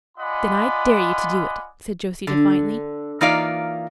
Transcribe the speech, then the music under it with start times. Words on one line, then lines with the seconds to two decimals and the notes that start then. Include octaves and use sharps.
"Then I dare you to do it," said Josie defiantly.
0.18 F4 D5 D#5 F#5 G#5 B5
2.27 D3
3.21 E3 A#3 D#4 F4 D5 F5